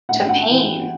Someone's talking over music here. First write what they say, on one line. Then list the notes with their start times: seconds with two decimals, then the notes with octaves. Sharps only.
to pain.
0.09 A2 F#5
0.19 G5
0.29 F#5
0.49 E3